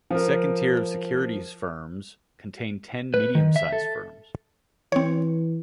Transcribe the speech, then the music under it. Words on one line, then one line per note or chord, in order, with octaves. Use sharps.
The second tier of securities firms contained ten medium-sized firms.
F3 A#4
B4
D#3
E5
A4
E3 C4 C#5